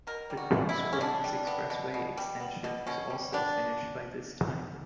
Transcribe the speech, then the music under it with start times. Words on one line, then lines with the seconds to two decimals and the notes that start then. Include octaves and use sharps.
The Cross Bronx Expressway Extension was also finished by this time.
0.07 B2 A#4
0.30 G3
0.37 F#4
0.53 B3
0.69 E4
0.77 B2
0.93 C#4
1.00 B2 D4
1.24 G3
1.47 B3
1.70 B2
1.94 B2
2.17 G3
2.40 B3
2.64 B2
2.87 B2 C#4
3.10 G3
3.33 B3 D4